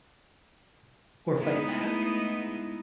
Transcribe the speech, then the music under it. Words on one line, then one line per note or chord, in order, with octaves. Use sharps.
Or fight back?
G#3 A3 B3 D#4 E4 D#5